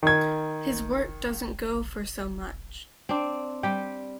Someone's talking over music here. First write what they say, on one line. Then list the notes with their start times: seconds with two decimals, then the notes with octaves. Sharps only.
His work doesn't go for so much.
0.03 D#3 G#6
3.09 C4 D4
3.63 G3 G4 G5